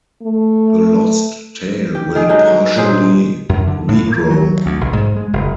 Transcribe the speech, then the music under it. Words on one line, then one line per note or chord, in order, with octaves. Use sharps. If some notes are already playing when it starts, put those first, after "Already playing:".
The lost tail will partially regrow.
A3
G4
D#3 G#4
D3 F#3 G#3 D#4
A#2 F#3 G#4 C5
F#2
D3
A2
A#3
F#3
D2
B1
G#2
G#3
F#1